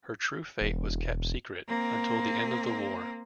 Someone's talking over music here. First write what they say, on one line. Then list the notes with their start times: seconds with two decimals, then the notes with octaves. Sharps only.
Her true fate was kept secret until the end of the war.
0.61 E1
1.67 A#3 C4